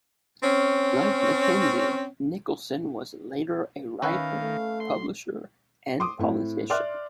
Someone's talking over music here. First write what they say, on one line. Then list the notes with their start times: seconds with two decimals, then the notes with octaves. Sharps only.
Like MacKenzie, Nicolson was later a writer, publisher and politician.
0.43 C4 C#4
4.02 D#3 C#4 B4 E5 F5
4.42 A3
4.80 C6
6.00 C6 D6 D#6
6.19 A2 C4 E4
6.70 D5 E5 C6 D6 F6 F#6